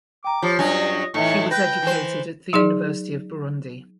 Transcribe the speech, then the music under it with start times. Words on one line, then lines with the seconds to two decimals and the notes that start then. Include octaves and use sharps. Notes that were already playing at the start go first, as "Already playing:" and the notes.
She was educated at the University of Burundi.
0.24 G5 A#5 D6
0.42 F3 F4 G4 C#5
0.59 G2 F#3 C#4 D#5
1.14 A2 E3 D#4 D#5 E5 C#6
1.51 B4 G5 A#6
1.82 E3 C5
2.53 F#3 D#4 G#4 D5